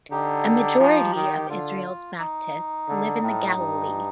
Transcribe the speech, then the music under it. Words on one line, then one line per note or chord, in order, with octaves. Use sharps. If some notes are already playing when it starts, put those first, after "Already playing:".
A majority of Israel's Baptists live in the Galilee.
D3 D#4 G4
F3
D#3
G4
D3 F4
D#4
D3
A2
G2